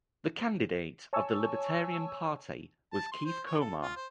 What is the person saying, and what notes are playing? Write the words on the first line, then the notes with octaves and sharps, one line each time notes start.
The candidate of the Libertarian Party was Keith Komar.
C#5 G#5 A5 C#6 E6
A5
C6
C5
C#5
A4
F4
C5